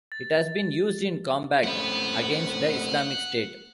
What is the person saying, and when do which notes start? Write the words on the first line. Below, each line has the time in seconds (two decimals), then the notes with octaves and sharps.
It has been used in combat against the Islamic State.
0.12 A6
1.64 A3 C4 C#4 F#5 B5